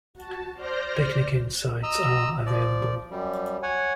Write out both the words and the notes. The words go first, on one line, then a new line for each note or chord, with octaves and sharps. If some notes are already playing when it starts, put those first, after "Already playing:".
Picnicking sites are available.
F#4 A5
C5 D5 F6 G6 A#6
D#5 A#5 E6
F3 D5
F#2 G3
C#5 F#5 G#5